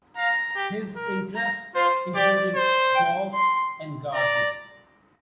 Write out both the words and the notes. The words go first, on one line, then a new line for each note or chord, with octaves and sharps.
His interests included golf and gardening.
F5 A#5
G4
A#4
A#5
F4 C5
G4 D5
C5
G5
C6
D5 A#5